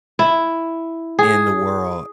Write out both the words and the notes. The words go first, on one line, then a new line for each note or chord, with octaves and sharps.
in the world
E4
G#4